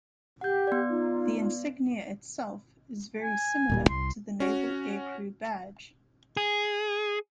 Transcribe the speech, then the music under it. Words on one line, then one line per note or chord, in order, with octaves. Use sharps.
The insignia itself is very similar to the Naval Aircrew Badge.
G4 F#5 G6
B3 D5
D#4 F4
G#5
D1 A#2 G3
C2 C6
C#4 F#4
G#4